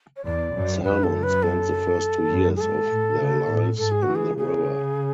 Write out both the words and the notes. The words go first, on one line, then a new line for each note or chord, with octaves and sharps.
Salmon spend the first two years of their lives in the river.
C#5
E2 D5
F#2
F#2 B4
A4
B4
A4
F#2
G#4
G#2 A4
A2
C#3
A2
G#2 A4
G#4
E3 F#4
G#4
C#3 G#4